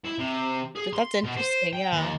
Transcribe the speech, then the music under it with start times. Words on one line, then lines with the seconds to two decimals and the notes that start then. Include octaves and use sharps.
But that's interesting, yeah.
0.05 E4
0.18 C3
0.76 G#4
0.93 C6
1.24 B2
1.37 C5
1.73 G5
1.93 D#2